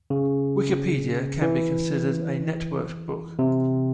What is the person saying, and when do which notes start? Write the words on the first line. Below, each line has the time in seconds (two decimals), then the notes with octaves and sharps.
Wikipedia can be considered a networked book.
0.10 C#3
1.42 E3
3.39 C3